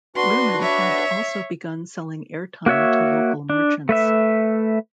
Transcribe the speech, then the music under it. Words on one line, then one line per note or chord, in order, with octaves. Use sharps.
Reuman had also begun selling airtime to local merchants.
D4 F#4 B4 C6
C#5 E5
A#3 F#4 C#5 E5
D4
A3 B4 E5